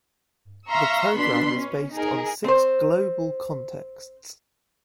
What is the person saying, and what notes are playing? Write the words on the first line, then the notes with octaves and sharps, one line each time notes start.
The program is based on six Global contexts.
E5 F5 A#5 C6 C#6 E6
B2 D4 B5 C6 B6
C#4
D#4 G#4 A#4
C4 C5